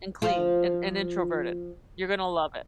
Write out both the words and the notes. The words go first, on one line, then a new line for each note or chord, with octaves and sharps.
and clean and and introverted, you're gonna love it.
F3 F4